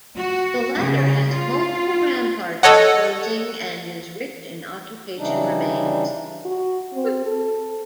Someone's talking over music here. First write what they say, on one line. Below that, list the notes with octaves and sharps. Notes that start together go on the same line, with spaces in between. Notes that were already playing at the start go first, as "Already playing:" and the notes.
The latter has multiple ramparts enclosing and is rich in occupation remains.
F#4
C#3
F4
A4 C#5 D#5 F#5
C#3 E3 G3 D4 D#4
F#4
C4
A4